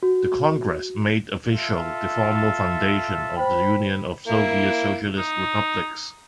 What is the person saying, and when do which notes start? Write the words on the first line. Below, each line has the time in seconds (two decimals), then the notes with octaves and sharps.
The Congress made official the formal foundation of the Union of Soviet Socialist Republics.
0.03 F#4
1.51 F4 A4 E5
3.36 C5 G5 B5
4.28 A#3 E4
5.18 D#4